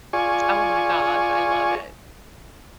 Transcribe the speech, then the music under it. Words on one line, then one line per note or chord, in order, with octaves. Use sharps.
Oh my gosh, I love it.
F4 G#4 D5 G#5 C#6